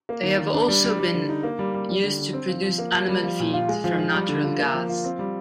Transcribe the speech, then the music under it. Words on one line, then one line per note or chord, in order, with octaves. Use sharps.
They have also been used to produce animal feed from natural gas.
A#3
D#3
D#3
D4
G3
G3
G3
D3
D#4
A#3
G3
G3
G3
D3
D3
C4
F3
F3
A#3
G3
G3
F3
A#2
F4
G#3
F3
F4
G3
D3
F4
A#3
F3
F4
C4
G3